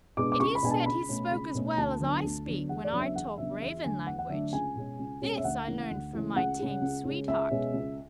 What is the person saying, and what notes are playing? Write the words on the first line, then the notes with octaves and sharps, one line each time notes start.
It is said he spoke as well as I speak when I talk Raven language; this I learned from my tame sweetheart.
B2 G#3 B3 D4 D6
D6
C#2 C#6
B5
B2 G#3 B3 D4 G#5
A5
C#2 B5
B2 A3 C#4
C#2
B2 A3 C#4
D2 A5
D3 F#3 B3 D4
D2
D3 F#3 B3 D4
E2 F#5
D5
C#3 F#3 B3 D4
E5
E2 F#5
C#3 F#3 B3 D4 E5
E2 E5
D3 F#3 A3 D4 G#5
E2 F#5
F#5
D3 F#3 A3 D4 E5
C#2 G#5
B2 G#3 C#4
C#2
B2 G#3 C#4
E5
D2 F#5
C#3 E3 A3
D2
C#3 E3 A3
C#2 F#5
C#3 G#3
C#2
C#3 G#3
C#2 E5
B2 G#3 C#4
C#2